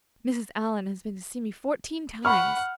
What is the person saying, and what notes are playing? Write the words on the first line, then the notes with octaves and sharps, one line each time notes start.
Mrs. Allan has been to see me fourteen times.
F#5 B5 C#6 F6